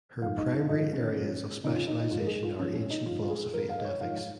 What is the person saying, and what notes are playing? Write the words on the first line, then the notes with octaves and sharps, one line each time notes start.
Her primary areas of specialization are ancient philosophy and ethics.
G#2 F3 F5
D#4
D#4
G#2 F3 D#4
C#4
A#2 F3
F2 C#3 F3 D#4
F4
D#4
D#4
G#2 F3 F4
A#4
G#4
F4
G#2 F3 C#4
C#4
D#4
G#2 F3 F4
F4
G#4
F2 F3 A#4
F5
D#5
C#5
G#2 F3 F5
F5